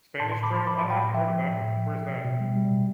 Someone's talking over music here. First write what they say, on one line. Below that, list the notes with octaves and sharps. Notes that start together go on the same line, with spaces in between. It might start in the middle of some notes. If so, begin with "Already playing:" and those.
Spanish Trail? I haven't heard of that one. Where is that?
A2 A5 C6
A2 A5 C6
B5 D6
F3 A5 C6
F3 B5 D6
A2 A5 C6
G5 B5
A2
F3 E5 G5
F3
A2
A2
F3
F3
B2
B2
G3
G3
B2